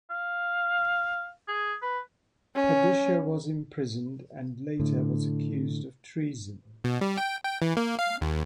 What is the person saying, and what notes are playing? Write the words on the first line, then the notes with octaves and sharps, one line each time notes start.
Padishah was imprisoned and later was accused of treason.
F5
G#4
B4
C#4
A2 D3
B2
G3
G5
G5
E3
A#3
F5
D#2